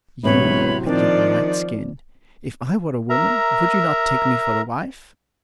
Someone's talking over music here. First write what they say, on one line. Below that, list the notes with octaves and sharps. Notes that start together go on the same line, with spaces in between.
You, with your white skin, if I were a woman, would you not take me for a wife?'
E1 A2 C3 F#3 B4 C#5 B5
D#3 F3 C4 D4 D5
A#4 E5 A#5